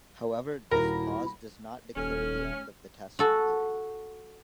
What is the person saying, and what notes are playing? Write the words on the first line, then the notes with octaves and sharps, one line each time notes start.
However, this pause does not declare the end of the testing period.
D#1 E4 F#4 A#4 A#6
D#1 C#4 A4 G#5 F6
F#4 A4